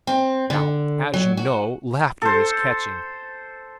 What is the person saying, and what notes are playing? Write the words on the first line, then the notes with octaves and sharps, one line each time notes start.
Now, as you know, laughter is catching.
C4
D3
F#3
F#4
A4 C5